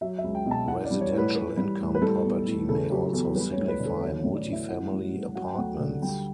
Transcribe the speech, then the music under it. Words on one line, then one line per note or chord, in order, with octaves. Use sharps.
Residential income property may also signify multifamily apartments.
F#3 E5
E5
C#2
G5
B2
A5
E3 F#5
D5
G3
C#5
A2
B4
E3 B4
G3
A2
B4
G3 A4
B1
A2
C#3 A4
F#3 G4
E2 A4
G3 B4
C#5
D2
B4
D3
A4
F#3 C#5
C#5
A1
D5
A2
E5
E3 F#5
G3
G2
F#3 F#5
G5
D2 F#5
D3
G3 G5